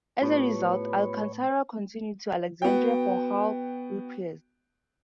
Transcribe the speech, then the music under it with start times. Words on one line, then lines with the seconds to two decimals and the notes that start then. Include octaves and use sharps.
As a result, "Alcantara" continued to Alexandria for hull repairs.
0.22 A2 B3 F4 G4 B4 C#5
2.62 B3 F#4 G5